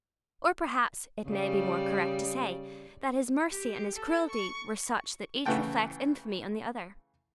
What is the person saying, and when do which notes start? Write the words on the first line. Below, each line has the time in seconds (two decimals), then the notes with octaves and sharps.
Or perhaps it may be more correct to say that his mercy and his cruelty were such that each reflects infamy on the other.
1.28 C#3 G3 D5
3.51 G4
3.95 A4
4.31 C#6
5.46 C#3 E3 A3 F#5 G5 A5